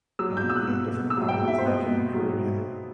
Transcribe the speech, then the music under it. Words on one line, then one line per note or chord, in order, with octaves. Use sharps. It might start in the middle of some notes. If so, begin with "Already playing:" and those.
um, you know, different islands like in the Caribbean.
F#3 E6
G6
B2
E6
F#6
B3
B2
E6
F#3
G5
B2
E5
C5
B3 D#5
B2
F#3